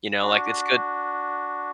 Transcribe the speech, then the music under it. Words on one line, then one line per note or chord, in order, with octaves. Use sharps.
you know, like, it's good
D4 F#4